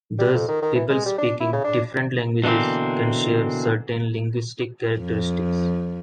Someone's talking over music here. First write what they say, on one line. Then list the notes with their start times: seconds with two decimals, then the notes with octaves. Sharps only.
Thus people speaking different languages can share certain linguistic characteristics.
0.19 G3
0.34 F2
0.48 D#3
0.62 D#3
0.75 E3
0.90 G#3
1.06 G3
1.18 D4
1.40 E4
1.53 C#3
1.64 D4
2.44 B2 D3 E3 A#3 C4
4.99 F2